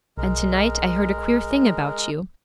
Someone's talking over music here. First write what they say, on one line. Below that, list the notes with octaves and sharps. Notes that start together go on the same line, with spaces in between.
'And to-night I heard a queer thing about you.'
B1 G#3 A#4